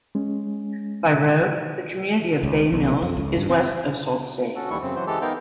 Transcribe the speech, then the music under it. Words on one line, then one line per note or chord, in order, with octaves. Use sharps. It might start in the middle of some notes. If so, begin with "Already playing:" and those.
By road, the community of Bay Mills is west of Sault Ste.
G#3 C#4
C#2
B1
F2
C#2
G2
C4
C#4 F#4 A4
D#2 E3 G3 E4 C#6
F#2 C#3 C4
E3 F#3 C5
E3 G#3 G4 A4
B3 D#4 A#4 F5 G5